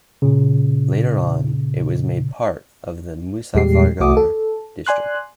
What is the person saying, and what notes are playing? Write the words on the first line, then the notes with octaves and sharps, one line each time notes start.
Later on, it was made part of the Muzaffargarh District.
A#2 C#3
E2 A#2 G3 G#3 G4 C7
C2 A3 F#4 D6 D#6
A4
D5 G#5 C6 F#6